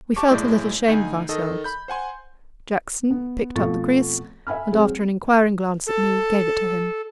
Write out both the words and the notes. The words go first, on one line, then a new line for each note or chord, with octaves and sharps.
We felt a little ashamed of ourselves. Jackson picked up the kriss, and, after an inquiring glance at me, gave it to him.
G4 A5 C#6 D6
B1 A2 G#3 E4 D5 G6
D2 D#4 G#5
D#3 A4 D#5
B5 G6
C5 F#5 G#5 C6
B3
F2 B2 F3 A3 C#6 A6
E5 G#5 B5 F6
F#3 G#3 C4
A4